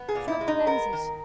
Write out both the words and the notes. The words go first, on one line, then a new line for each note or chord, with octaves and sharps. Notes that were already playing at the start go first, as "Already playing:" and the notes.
Smoke the lenses.
Already playing: B3
G#4
A#2
E4
G#3
D#4
B3 A#4
D#3